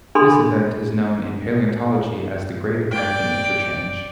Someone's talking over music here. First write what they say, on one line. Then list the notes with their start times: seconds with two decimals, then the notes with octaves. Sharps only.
This event is known in paleontology as the Great American Interchange.
0.15 D4 G#4 A4 B5 C6
2.91 D5 G5